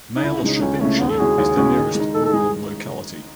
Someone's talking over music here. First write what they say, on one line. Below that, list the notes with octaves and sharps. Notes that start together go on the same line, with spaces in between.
Malye Shcherbinichi is the nearest rural locality.
D#4
C#2 E4
C#3 G#3 C#4 D#4
D#4
C#2 C#4
C#3 G#3 A3 C#4
D#2 B3
A4
C#3 G#3 C#4 F#4 G#4
D#2
C#3 G#3 C#4 F#4
D#3
G#3
D#4
D#3 A4
A4
G#3 D#4 G#4